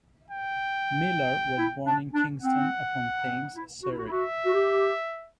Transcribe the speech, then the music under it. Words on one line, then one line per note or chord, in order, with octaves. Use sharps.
Millar was born in Kingston upon Thames, Surrey.
G5
E4
D4
D4
C4 F#5
C4
E4
F#4
E4
F#4
E4
F#4 E5
F#4
G4